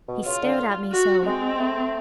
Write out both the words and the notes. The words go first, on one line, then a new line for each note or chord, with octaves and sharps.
He stared at me so.
B2
C#3 F4
D3
F#4
G#3 C4
A3